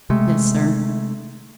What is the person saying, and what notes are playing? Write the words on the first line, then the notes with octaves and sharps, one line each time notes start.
"Yes, sir."
C3 G#3 A3